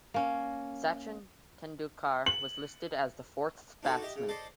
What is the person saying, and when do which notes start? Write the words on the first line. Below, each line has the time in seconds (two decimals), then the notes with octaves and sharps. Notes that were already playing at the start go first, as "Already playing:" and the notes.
Sachin Tendulkar was listed as the fourth batsman.
0.14 A#3 C#4
2.26 F#7
3.83 D4 D#4 F#4 A4 B4
4.02 G4 D#5 E5
4.16 C#3
4.29 A4 C5 D5 D#5